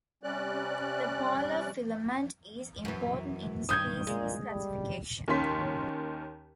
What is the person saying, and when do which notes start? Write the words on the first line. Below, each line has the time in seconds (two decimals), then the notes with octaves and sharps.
The polar filament is important in species classification.
0.23 C3 G3 C#4 D5 F#6
2.85 F#2 E3
3.69 G2 D#3 D#6 G6 G#6
4.07 A#2 G#3
4.50 G3
5.28 D#2 D#3 C#4 C6 B6